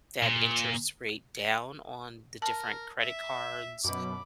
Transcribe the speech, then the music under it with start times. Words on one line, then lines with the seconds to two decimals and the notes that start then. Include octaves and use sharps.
that interest rate down on the different credit cards
0.22 A#2
2.42 A#4 A5
2.99 E5
3.84 F#2 B2 B5 D6